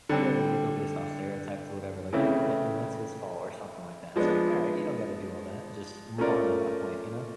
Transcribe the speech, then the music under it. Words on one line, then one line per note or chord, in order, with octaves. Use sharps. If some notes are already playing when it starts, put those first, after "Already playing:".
whether they go based off stereotypes or whatever, like, "Hey, that", you know, "that's his fault." Or something like that. It's like, "Alright, you don't gotta do all that." Just move on at that point, you know?
D3 G3 C4
C#3 E3 A3 C4 E4
F3 G#3 B3 D4
A3 C#4 F4 A#4 D5